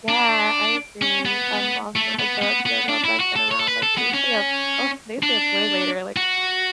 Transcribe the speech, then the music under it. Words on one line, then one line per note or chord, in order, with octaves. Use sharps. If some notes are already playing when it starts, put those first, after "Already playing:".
yeah, I agree, um, also like the the adults I've been around, like they stay up, oh, they stay up way later,
D4
C#4
B3
A3
B3
B3
B3
D4
E4
F#4
A4
C#5
A4
B4
A4
B3
C#4
D4
F#4